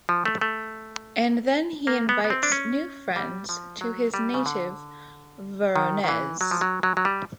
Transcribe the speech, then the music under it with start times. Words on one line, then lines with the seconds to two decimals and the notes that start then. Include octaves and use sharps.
And then he invites new friends to his native Voronezh.
0.09 F3
0.25 A3
0.41 A3
1.87 A#3
2.09 B3
2.24 B3
2.30 C4
2.43 D4
2.52 C#4
3.16 G3
3.49 F3
3.81 F#3
4.14 G3
4.34 C#3
4.46 D3
5.76 D#3
6.04 D#3
6.08 E3
6.41 F#3
6.51 F3
6.61 F#3
6.83 F#3
6.97 F#3
7.05 G3